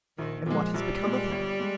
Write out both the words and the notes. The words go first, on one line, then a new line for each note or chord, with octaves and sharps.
"And what has become of him?"
A#1 D#3
A#2 F3 G#3
A#1 G3
A#2 G#3
G1
G#3